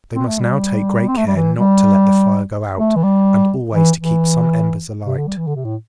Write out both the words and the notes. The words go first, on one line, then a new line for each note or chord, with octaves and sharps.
They must now take great care not to let the fire go out, and always to keep some embers alight.
C4
A3
G3
C4
A3
G3
E3
G3
A3
E3
G3
E3
E3
C3
D3
G3
E3
D3
C3
A2